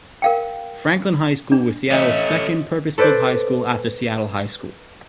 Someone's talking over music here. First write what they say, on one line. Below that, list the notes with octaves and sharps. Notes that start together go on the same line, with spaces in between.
Franklin High School was Seattle's second purpose-built high school after Seattle High School.
A#4 F5 G5
D4
F3 A3 C#4 D#5 E5
A4 B4 C5 D5